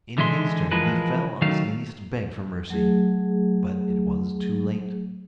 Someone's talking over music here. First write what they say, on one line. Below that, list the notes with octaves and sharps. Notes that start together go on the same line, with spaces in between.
In his turn he fell on his knees to beg for mercy, but it was too late.
D3 E3 G#3 E5 C6
E3 F3 G#3 A#4 B4
D#3 F#3 A3 F5
F#3 A3 G#4